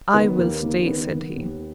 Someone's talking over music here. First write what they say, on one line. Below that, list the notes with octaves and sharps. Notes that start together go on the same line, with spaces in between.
"I will stay," said he.
D#3 B3
D#2 A#3
D#3 A#3
C#4
D#3 B3
D#3
D#2